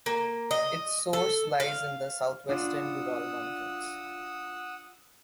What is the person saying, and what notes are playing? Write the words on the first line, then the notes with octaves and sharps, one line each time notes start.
Its source lies in the south-western Ural Mountains.
A#3
D#5
A4
F5
D4 F4 F#5 D#6 E6